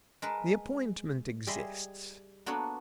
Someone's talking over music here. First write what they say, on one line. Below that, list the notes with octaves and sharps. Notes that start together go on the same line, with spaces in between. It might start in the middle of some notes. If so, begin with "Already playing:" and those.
The appointment exists.
G#3 A#4 B4 A5
G3 G#4 D#5 E5 B5 C6
A#3 B3 D4 F#4 A4 C#5